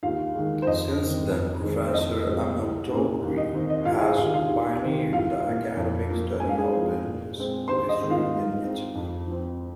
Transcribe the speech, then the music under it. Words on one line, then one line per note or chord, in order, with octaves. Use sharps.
Since then, Professor Amatori has pioneered the academic study of business history in Italy.
D#2 F4 F5
D#3 G#3
C5
F2 D#5
D#3 C4
F2
D#3 G#3 C4
C5
F2 D#5
C3 F3 G#3 C4
C2
A#2 A#3
D#2
D#5
D#3 C4
D#5
C2 F4 F5
G#4 G#5
C3 D#3 F4 F5
F4 F5
D#2
D#3 C4
C2 F4 F5
A#2 A#3
F2
F3 A#3
G#2 G#5
F5
G#4 G#5
F3 G#3 C4
A#2
G#3 C4
D#2 C5 C6
D#5
D#3 G#3 C4
F4 F5
G#2
G#3 C4
F2
F3 C4